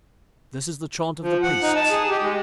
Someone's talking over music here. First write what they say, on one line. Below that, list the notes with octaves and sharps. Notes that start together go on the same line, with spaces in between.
This is the chaunt of the Priests.
F3
F#5
D#4
A5
G#4
G4
G#3